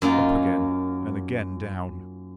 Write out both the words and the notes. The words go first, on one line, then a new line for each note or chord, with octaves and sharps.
Up again, and again down.
F#2 A#3 D#4 F4